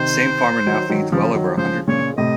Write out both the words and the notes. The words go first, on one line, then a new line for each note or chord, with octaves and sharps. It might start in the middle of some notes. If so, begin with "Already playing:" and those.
The same farmer now feeds well over a hundred people.
Already playing: C3 D#3 C5
D#3 F#3
D#3 F#3
C#3 F3
D#3 F#3
C#3 F3 C5
A#2 C#3 C#5
A2 C3 D#5